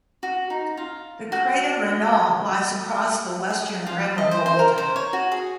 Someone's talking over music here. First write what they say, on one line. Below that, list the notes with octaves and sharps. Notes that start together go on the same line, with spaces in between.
The crater Regnault lies across the western rim of Volta.
F#4
D#4
F4
F#4
G#4
G#4
F4
D#5
C5
C5
A#4
C5
C#5
F#4
G#4